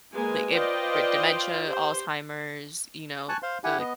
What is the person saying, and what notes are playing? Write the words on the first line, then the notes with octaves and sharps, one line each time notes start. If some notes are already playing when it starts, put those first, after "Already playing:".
like, it for dementia, Alzheimer's, you know, the, like
G#3 A#3 B4 G#5
F4 B4 C5 D5 D#5 G5
G4 C5
G#5 A5 C#6 F#6
C5 F5 C6
E4 G4 F#5 G#5
B3 D#5